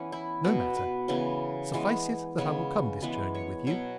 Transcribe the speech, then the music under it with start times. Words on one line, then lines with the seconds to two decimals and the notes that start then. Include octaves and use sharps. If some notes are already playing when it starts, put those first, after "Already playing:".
No matter! Suffice it that I will come this journey with you.
Already playing: E3 B3 C#4
0.12 E4
0.44 B2 B3 F#4
0.77 B4
1.08 C#3 E3 B3
1.74 E3 G#3 B3
2.38 C#3 G#3 B3 C#5
3.02 E3 G#3 B3 B4
3.35 C#5
3.67 B2 F#3 B3 C#5